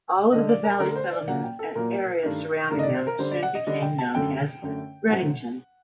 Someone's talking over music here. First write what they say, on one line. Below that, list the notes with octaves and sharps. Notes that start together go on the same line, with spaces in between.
All of the valley settlements and area surrounding them soon became known as Redington.
D3 A3 D4 D#5
D5
A#4
D3 A3 D4 A#4
A#4
C5
D5
A#2 F#3 A#3 F#5
G5
A4
A#2 F#3 A#3 A#4
G2 D#3 A3 D4
G2 D#3 A3 D4 A#4
D#5
D5
C5
A#4
D3 G3 D4 C5
D5
F#5
D#5
D3 G3 D4 D#5
G5
A5
F#2 D3 A3 G5
F#2 D3 A3
A2 F#3 C4 F#5